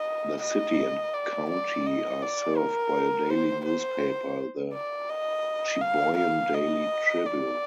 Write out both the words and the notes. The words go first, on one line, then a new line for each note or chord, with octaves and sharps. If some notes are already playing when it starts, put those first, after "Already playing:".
The city and county are served by a daily newspaper, the "Cheboygan Daily Tribune".
Already playing: D#5
D#5
D5
D5
D#5
D5
A#4
C5
C5
D5
D#5
F5
F5
D#5
D5